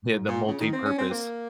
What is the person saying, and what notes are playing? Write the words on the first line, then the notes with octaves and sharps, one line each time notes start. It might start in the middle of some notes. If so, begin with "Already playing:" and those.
Yeah, the multipurpose.
G#2
A#2
C#3
D#3
C4
C#4
C4
A#3